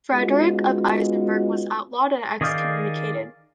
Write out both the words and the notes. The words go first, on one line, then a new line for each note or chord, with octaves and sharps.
Frederick of Isenberg was outlawed and excommunicated.
G#3 B3 C#4 D#4 F4 F#4
D#3 G#4 D5 F5 G6